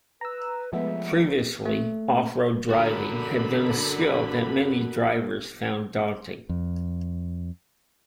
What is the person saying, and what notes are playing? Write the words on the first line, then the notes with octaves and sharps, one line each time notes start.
Previously, off-road driving had been a skill that many drivers found daunting.
B4 A#5 E6
F3 G#3 A3 B3 E5
A3
D3 F#4 A#4 B5
F2